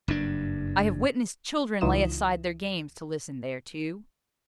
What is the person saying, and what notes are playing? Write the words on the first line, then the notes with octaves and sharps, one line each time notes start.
I have witnessed children lay aside their games to listen thereto.
F#1 G2 D4
C#2 E3 D#4 F4 D#6 E7